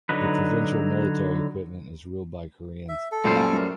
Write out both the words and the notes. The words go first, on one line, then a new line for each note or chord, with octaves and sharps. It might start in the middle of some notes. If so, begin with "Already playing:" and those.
The provincial military equipment is ruled by Koreans.
D3 F#3 D#4 B4
E5
A4
C#2 F#2 A#2 G3 A3 C5
A#3 G#5
A3 A#4